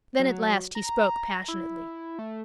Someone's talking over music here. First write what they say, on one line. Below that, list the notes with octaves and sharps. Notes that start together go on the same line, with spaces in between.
Then at last he spoke passionately.
F#3
A#5
E4
A3